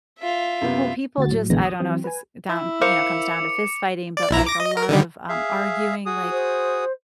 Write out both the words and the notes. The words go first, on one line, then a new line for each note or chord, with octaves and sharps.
Well, people just I don't know if it's down, you know, comes down to fist fighting, but, like, a lot of, um, arguing, like,
F4 E5
F#2 C3 B3
D2 F#4 A6
A2 F#3
A#1 E2 D3 G#3 B3 A#6
D#6
E3 F#3 C4
B4 G#5
E4
A#4 C5 F5 D6 C#7 F7
D5
B1 E4 A#5
D6 A#6
D#5
A#4
D3 D#3 G3
G#4 E5 F5
F#4 G#4 D#6
C5